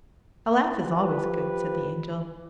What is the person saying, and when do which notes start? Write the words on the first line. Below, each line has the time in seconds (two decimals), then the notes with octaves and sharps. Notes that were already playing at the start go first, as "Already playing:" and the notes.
"A laugh is always good," said the Angel.
0.80 F3 G4 B4